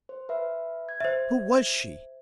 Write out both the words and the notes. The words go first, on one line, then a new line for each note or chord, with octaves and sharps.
Who was she?
C5
B4 E5
G#6
C5 E5